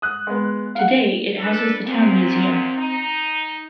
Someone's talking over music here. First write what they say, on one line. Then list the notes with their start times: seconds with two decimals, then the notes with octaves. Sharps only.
Today it houses the Town Museum.
0.02 D#6 F#6
0.27 G#3 B3
0.75 F5 F#5
1.39 D4 A4 B4
1.85 F#2 A#2 C4
2.78 D#4